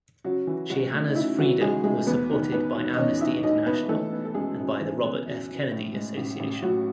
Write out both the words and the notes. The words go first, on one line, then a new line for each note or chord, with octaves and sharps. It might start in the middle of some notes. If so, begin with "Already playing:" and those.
Chihana's freedom was supported by Amnesty International and by the Robert F. Kennedy Association.
C#3 F#3 F#4
E3
C#2 F#3 F#4
A3
D#4
C#3 E4
E3 F#3 F#4
C#2 G#3 G#4
G#3 A3 G#4
E2 B3 B4
D#3
E1 B3 B4
E1
D#5
E2 C#4 C#5
D#3 E4 E5
E1 D#4 D#5
E1 B3 B4
E3 A3 A4
B3
A4
F#2 G#3 G#4
F#2
E3
B3
F#2
F#2
A2
G#3
A1
A1
A2 F#3 F#4